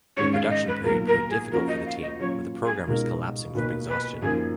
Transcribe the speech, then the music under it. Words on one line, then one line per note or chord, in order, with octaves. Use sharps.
The production period proved difficult for the team, with the programmers collapsing from exhaustion.
G#2 D#3 G#3 C#4 C#5
F5
D#5
B4
B1 A#2 F#3 A#4
A#4
G#4
F2 F3 A#3 C#4 F#4 A#4
D#5
F5
D#5
A#2 F#3 C#4 F4 C#5
G#4
C#2 B2 G#3 D#4 G#4 A#4
B1 B2 A#3 B4
B4
F#2 F3 A#3 D#4 G#4